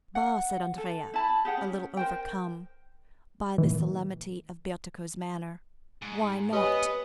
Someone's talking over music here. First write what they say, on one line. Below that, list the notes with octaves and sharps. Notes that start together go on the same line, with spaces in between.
"Bah," said Andrea, a little overcome, by the solemnity of Bertuccio's manner, "why not?"
F#5
A4
E4 A5 B5
G4 G#4 F#5 G5
C#4
A#4 C5 G5
A#2 E3
G#2
B3 G4 B4 C#5 D#5 G#5